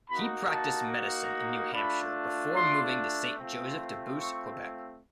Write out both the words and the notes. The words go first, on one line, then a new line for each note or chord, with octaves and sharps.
He practiced medicine in New Hampshire before moving to Saint-Joseph-de-Beauce, Quebec.
A#3 D#4 F#4 B5
A5
A3 D4 F4 B5
C6
A3 C4 F4
C#6